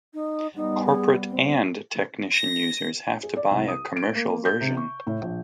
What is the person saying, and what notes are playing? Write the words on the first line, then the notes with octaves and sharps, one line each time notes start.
Corporate and technician users have to buy a commercial version.
D#4
G3 B3 D#4
G#4
C4
A#6
G#4
D5
C2
D#6
D7
A#3
G6
C3
C#6
A2
A#1